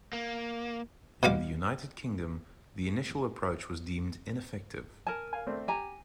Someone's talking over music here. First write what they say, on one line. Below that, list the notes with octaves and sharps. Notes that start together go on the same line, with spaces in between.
In the United Kingdom, the initial approach was deemed ineffective.
A#3
B2 G3 F5 D6
A#4 G#5 A5
F5 G#5
A3 C4 D4
G4 G#5 A#5